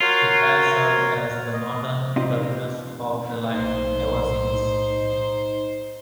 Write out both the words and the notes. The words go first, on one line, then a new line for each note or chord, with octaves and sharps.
It has served as the northern terminus of the line ever since.
F4 F#4 A#4 C#5
D#5
C4 D#4 F4 G4 D#5
B1 A2 D#4 C5